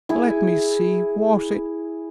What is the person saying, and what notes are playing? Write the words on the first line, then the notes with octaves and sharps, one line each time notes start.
Let me see--was it?
E4 G#4